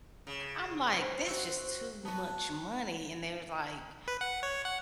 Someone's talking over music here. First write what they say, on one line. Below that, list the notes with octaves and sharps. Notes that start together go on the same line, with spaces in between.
I'm like, "That's just too much money" and they was like,
C#3
C5
C4 F#4
B3 F#4 A5
B4
F#5
C#5
F#5